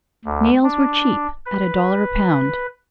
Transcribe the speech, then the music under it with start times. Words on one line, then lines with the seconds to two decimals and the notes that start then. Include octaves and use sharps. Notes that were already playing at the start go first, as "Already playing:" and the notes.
Nails were cheap at a dollar a pound.
0.25 D2
0.64 D4
1.46 B4